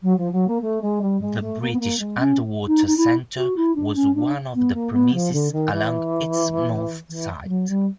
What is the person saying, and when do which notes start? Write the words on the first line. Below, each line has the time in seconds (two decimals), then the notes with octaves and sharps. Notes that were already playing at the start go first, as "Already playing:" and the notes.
The British Underwater Centre was one of the premises along its north side.
0.02 F#3
0.17 F3
0.32 F#3
0.47 A#3
0.61 A3
0.81 G#3
1.01 G3
1.21 G#3
1.40 A3
1.60 A#3
1.73 B3
1.79 A#3
1.98 G#3
2.19 C#4
2.67 D#4
2.86 D#4
2.96 E4
3.36 F#4
3.56 E4
3.75 D4
3.95 C#4
4.15 D4
4.54 B3
4.73 A#3
4.93 B3
5.13 F3
5.32 D3
5.52 D#3
5.72 E3
7.09 E3
7.44 G3
7.48 F#3
7.68 G3